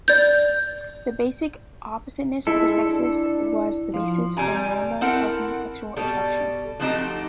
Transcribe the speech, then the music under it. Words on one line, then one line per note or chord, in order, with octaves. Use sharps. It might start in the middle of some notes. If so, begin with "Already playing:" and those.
The basic oppositeness of the sexes was the basis for normal, healthy sexual attraction.
D5 G6
G#3 E4 A4
D4
F3 F4
C3 G3 G#5 A#5
C4 E4 A4 A#4 F#5
B2 G3 A4
F3 F#3 A3 C4 D#4 G4